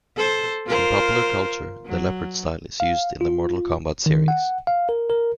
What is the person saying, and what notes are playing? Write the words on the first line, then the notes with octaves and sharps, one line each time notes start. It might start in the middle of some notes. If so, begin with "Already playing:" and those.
In popular culture the Leopard style is used in the Mortal Kombat series.
A4 C5
F4 A#4 C5
F#3
F5
F4
D#3
F#5
F5
A#4
A#4